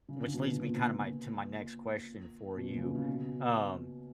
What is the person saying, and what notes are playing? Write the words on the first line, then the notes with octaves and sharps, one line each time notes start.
which leads me kinda my to my next question for you, um
C#3
D3
B2
B2
A#2
B2
A#2
C#3
B2
C#3
B2